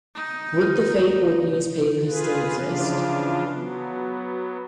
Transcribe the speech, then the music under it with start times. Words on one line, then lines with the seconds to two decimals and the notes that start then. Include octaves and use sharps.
Would the fabled newspaper still exist?
0.14 D#4
2.07 F4 G#4 B4
2.58 C#3 E3 F3 D4 F4
3.53 F#3 B3